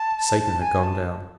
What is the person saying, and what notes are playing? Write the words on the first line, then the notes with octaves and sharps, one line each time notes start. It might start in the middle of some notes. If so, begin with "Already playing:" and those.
Satan had gone down.
Already playing: A5
G#5
A5